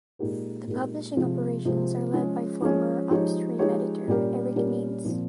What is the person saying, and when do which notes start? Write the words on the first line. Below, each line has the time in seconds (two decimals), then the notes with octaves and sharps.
The publishing operations are led by former "Upstream" editor Erik Means.
0.19 A#2 G#3 D#4 G4 A#4
0.68 A#2 G#3 D#4 G4 A#4
1.17 C3 F3 G#3 C4 F4
1.65 C3 F3 G#3 C4 F4
2.14 F3 G#3 C#4 G#4
2.62 F3 G#3 C#4 G#4
3.11 F3 G#3 D#4 G4 C#5
3.59 F3 G#3 D#4 G4 C#5
4.08 A#2 G3 C#4 G4 A#4
4.56 A#2 G3 C#4 G4 A#4
5.05 A#2 F3 C4